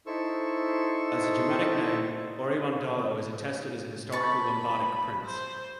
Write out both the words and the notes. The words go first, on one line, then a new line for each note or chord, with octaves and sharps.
As a Germanic name, Auriwandalo is attested as a historical Lombardic prince.
D#4 E4 A4 C5 C#6 E6
A5 B5 C#6
C5